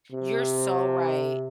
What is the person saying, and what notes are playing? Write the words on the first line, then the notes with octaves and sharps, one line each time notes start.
you're so right.
C3